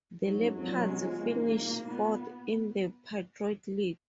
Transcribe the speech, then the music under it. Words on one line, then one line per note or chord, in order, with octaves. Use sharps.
The Leopards finished fourth in the Patriot League.
G#2 F#3
G#2
F#2
F2 F#3
A#2
B2
C#3 G#3
F3
F3 A#3
D#3
C#3
F#2
G#2
A#2
B2
G#2
A#2 B3